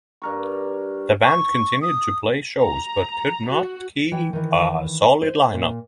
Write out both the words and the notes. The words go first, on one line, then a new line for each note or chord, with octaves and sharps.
The band continued to play shows but could not keep a solid line up.
G2 A#4 C#6
C#6
D#6
A#5
F#4
E3 G5
D#3 E3
C5
A#2